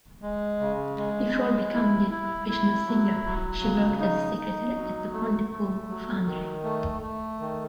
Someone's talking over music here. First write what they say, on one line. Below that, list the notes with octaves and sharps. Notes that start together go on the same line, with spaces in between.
Before becoming a professional singer, she worked as a secretary at the Pontypool foundry.
G#3
C#3
G#3
G#3
E4
E4
E4
F#3
F#3
C#3
D#4
D#4
F#3
A3
A3
F#3
D#3
A3
A3
D#3